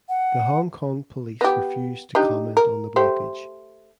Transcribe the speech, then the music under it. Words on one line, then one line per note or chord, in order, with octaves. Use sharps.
The Hong Kong police refused to comment on the blockage.
F#5
B3 G4
D4 D#4 G4
A#4
A3 G4 C5